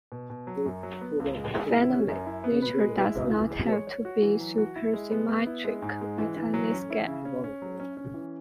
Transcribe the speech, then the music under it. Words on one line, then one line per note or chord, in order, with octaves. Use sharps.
Finally, Nature does not have to be supersymmetric at any scale.
B2
B2
F#3
F#2
F#3
B3
C#2
G#3
G#3
E4
C#4
F#2
E4
B3
B4
G#3
E4
C#2
E3
G#3
C#5
C#5
F#4
E3
F#3
F#4
E4
G#3
B3
B3
E4
G#3
G#2
G#3
E3
E3
F#3
C#4
E4
C#3
C#4
C#4
F#3
C#4
C#4
E3